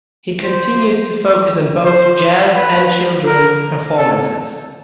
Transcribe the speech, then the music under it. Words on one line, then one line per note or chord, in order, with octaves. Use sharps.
He continues to focus on both jazz and children's performances.
C5
C5
B4
A#4
A4